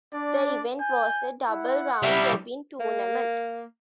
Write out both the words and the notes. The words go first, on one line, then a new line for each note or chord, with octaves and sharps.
The event was a double round-robin tournament.
D4 D5
G#5 G6
E4 F#5
G3 E4 E5
A#3